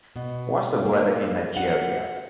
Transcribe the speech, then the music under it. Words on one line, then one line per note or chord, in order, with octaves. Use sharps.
What's the weather in Nigeria?
B2
A#3
F#5